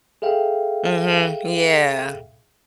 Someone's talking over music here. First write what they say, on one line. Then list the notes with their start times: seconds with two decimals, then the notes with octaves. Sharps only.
Mhm, yeah.
0.22 G#4 A4 E5 F5 G5